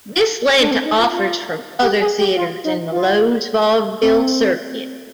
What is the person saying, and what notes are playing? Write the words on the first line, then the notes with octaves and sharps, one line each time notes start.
This led to offers from other theaters in the Loew's Vaudeville circuit.
D4
C4
D#4
F4
F4
G4
G#4
G4
F4
D#4
F4
C4